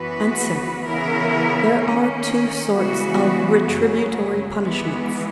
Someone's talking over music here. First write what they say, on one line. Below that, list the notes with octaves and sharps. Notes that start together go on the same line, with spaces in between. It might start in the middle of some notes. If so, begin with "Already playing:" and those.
Answer.--There are two sorts of retributory punishments.
Already playing: F#2 E3 B3 F#4 B4
C#3 E3 B3 E4 A#4
D#3 A#3 C#4
C#3 E3 G#3 B3 F#4
F#2 C#3 F#3
E3 G#3 B3